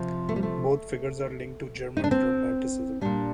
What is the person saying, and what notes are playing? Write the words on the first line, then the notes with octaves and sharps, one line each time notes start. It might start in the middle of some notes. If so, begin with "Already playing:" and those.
Both figures are linked to German Romanticism.
Already playing: C3 F3
A3
G3
A3
D#4
D4
C4
A#2 G3 D4